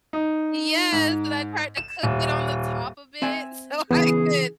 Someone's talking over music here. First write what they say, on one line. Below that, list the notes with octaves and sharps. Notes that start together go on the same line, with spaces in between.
Yes, and I tried to cook it on the top of it, so I could
D#4
G#2
E7
D#1
C4 E5 G#5
C#3 E3 B3 G#4